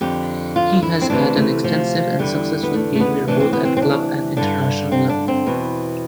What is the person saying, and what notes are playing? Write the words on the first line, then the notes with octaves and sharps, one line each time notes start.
He has had an extensive and successful career both at club and international level.
F2 D3 G4
F4
E4
C4
D2 C3 E3 D4
A3
F3
E2 D3 G3
B3
A3
A3
B3
D2 C3 E3 D4
C4
B3
C4
C4
D4
G2 D3 D4
C4
D4
C4
E2 B2